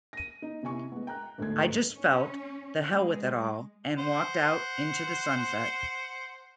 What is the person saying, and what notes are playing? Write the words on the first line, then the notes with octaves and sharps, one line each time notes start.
I just felt 'the hell with it all' and walked out into the sunset.
A#6 D#7
D#4
C3 E4 G#5 C#6
G#3 B3
G5 A#5 F#6
D2 G#2 A3 A4 G#6
C#4
G#3
C5 F#5